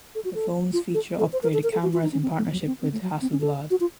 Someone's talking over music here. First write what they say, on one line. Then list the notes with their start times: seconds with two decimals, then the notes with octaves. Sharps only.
The phones feature upgraded cameras in partnership with Hasselblad.
0.15 A4
0.25 F#4
0.35 A4
0.73 F4
0.94 A4
1.19 A4
1.33 C5
1.43 A#4
1.53 A4
1.63 A#4
1.72 A4
1.83 F#4
1.93 F4
2.03 D#4
2.12 C#4
2.23 C4
2.37 A3
2.52 F#3
2.66 C4
2.82 C4
2.92 A3
3.02 F#3
3.22 C4
3.32 C#4
3.41 A4
3.71 F#4
3.80 F4